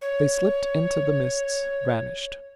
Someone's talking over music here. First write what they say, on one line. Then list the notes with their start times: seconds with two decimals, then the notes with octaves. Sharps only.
They slipped into the mists; vanished.
0.01 C#5